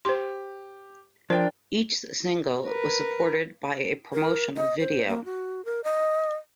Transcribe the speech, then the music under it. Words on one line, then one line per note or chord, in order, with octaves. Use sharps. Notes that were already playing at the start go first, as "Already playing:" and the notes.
Each single was supported by a promotional video.
G4 C5 C6
F3 D4 A#4 C5 G5
A#4 B4
A#4
D#5
C5
A#3
F#4
A#4
D#5